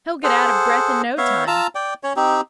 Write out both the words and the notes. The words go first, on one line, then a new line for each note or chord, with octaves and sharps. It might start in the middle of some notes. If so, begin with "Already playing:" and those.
He'll get out of breath in no time.
G#4 A4 C5 F#5
B3 C#5 E5 F5
F4 A5 A#5 E6
D5 G5
C#4 C#5
C4 D#4 G4